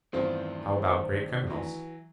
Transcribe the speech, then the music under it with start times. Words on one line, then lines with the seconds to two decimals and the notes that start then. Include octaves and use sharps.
"How about great criminals?"
0.13 E2 G2 D#3 A3 C4 D4 F4
1.47 E3 F#3